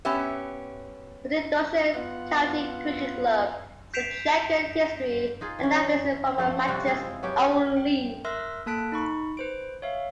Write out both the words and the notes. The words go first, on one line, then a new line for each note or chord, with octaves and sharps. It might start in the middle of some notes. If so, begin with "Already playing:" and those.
Huntingdonshire County Cricket Club has a chequered history and now plays informal matches only.
B3 C#4 G4 E5
B3 F4 F#5
G6 B6 C7 D7 E7 F7
D#4 F4 G#4
E3 C#4
F3 A3 A4
C3 G3 F4 F#4
G#3 C4 E4 F4
F#3 B3 C#4 G4
G5
A#4 E5 C6 E6 F#6 A#6
A#3 A4 A5 F#6 B6 D7
D#4 B5 C#6
B4 C5 D7
C#5 E5 F5